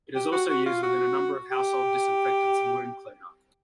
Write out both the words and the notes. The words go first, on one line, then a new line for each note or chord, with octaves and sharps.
It is also used within a number of household disinfectants and wound cleaner.
G4
F#4
F#4
F4
F#4
G4